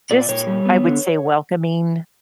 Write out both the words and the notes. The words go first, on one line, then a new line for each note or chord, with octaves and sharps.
just, I would say, welcoming,
A#2 D5
A#2 C#5
G3
B3
D3